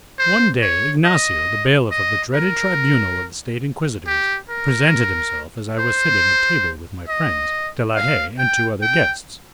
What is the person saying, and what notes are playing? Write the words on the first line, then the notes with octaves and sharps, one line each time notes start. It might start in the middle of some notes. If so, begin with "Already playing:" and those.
One day, Ignacio, the bailiff of the dreaded tribunal of the State inquisitors, presented himself as I was sitting at table with my friends, De la Haye, and two other guests.
C5
C#5
D#5
D#5
A#4
G4
A#4
C5
D#5
F5
G5
G5